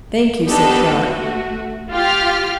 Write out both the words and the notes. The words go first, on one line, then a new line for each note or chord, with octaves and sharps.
"Thank you," said Trot.
B3 D4 D#4 G4 A4 B4
A3 F#4
F4 G4 F6